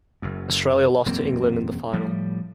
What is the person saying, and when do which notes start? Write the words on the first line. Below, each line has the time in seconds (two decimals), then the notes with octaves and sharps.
Australia lost to England in the final.
0.22 F#1 F#2
1.06 E1 F#2 A#3 C4
1.93 A2 F3 G3